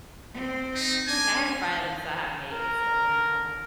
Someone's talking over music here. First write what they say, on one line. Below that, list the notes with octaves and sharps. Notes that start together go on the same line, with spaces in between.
I have friends that have maids, and, um
C4
D#4
D4 G#5
A#4